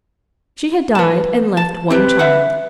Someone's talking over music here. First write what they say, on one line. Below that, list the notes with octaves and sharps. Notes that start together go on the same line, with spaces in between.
She had died and left one child.
B4 A5
A5
C4 G4 B4
E5 F#5